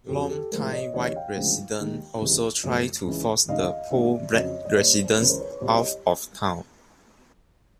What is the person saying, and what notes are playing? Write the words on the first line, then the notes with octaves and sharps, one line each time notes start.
Longtime white residents also tried to force the poor black residents out of town.
F2 C#3 F#3 G4 A4
G4 A4
A2 F3 G#3 G#4 A#4
C#5 D#5
D2 C3 E3 C#5 D#5
F5 G5
D2 C#3 F3 G#3
D#2 D#3 G#3
C#2 C3 E3
F#2 C#3 F3 A3
C#2 C#3 E3
C#2 C3 D#3 G#3 D#5 F5
G2 D#3 F#3 A3 D5 E5
F2 C#3 F#3 C#5 D#5
D#5
A#2 G3 C5 D5
C#2 C#3 E3 B4 C#5
A#4 C5
B4 C#5
B4 C#5
C2 B2 G3 C5 D5
C#5 D#5